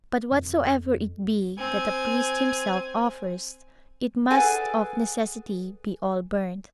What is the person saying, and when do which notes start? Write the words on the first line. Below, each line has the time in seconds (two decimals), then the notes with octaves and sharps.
But whatsoever it be that a priest himself offers, it must of necessity be all burnt.
0.31 F2
1.58 C4 G#5
4.30 G#4 A4 B4 D5 F#5 G#5